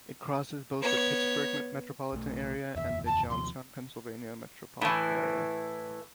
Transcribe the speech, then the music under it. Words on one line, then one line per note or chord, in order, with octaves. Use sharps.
It crosses both the Pittsburgh metropolitan area and the Johnstown, Pennsylvania metropolitan area.
B3 C#5
B1 A3
F#1 E2 E5
A5
D#2 C3 F3 C6
A2 E3